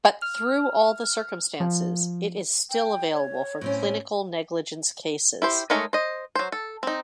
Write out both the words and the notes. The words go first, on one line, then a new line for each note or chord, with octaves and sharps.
But through all the circumstances it is still available for Clinical Negligence cases.
F6
F3
G5
C#5
A2 C4 C#4
E4 G4 C5
G#3 A3 D#4 A#4 C#5
C5 D#5
F#3 C5
A4
C4 D#4